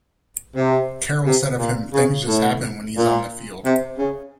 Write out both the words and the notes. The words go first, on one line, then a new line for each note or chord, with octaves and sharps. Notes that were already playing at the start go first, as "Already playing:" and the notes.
Carroll said of him Things just happen when he's on the field.
C3
C3
A#2
C#3
A2
A#2
C3
C#3